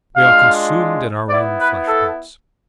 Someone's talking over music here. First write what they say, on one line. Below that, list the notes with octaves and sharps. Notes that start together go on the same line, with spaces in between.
We are consumed in our own flesh-pots.
G#3 D4 F4 F5
B3 E4 D5
B4
A4